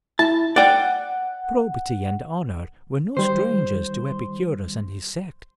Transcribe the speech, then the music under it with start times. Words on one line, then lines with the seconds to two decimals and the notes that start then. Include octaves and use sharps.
Probity and honour were no strangers to Epicurus and his sect.
0.19 E4 A5
0.56 D5 F#5 G5
3.17 D#3 G3 C5